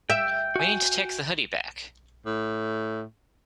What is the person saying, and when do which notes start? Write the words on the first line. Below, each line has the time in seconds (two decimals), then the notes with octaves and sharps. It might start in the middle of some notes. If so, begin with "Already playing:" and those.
We need to take the hoodie back!
0.10 E5 G5
0.56 F#4 G#5
2.26 A2